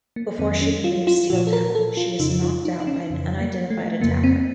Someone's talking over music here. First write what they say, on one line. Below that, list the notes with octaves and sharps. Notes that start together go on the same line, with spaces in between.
Before she can leave Steeltown, she is knocked out by an unidentified attacker.
A#3
F2 D#3 F#3 C4
C#4
F4
F4
A#2 F3 F#4
A4
A#4
A4
F4
F2 C#3 F3 D#4
F4
D#4
D#4
C#4
F2 C#3 F3
A#3
A3
F2 C#3 F3 A#3
C4